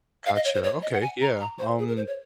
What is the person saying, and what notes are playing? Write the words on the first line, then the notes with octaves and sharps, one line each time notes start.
Gotcha, okay, yeah, um,
F5
D#5
C#5
C5
C#5
D#5
F#5
G#5
A#5
A#5
C5
G#4
A#4
C5
C#5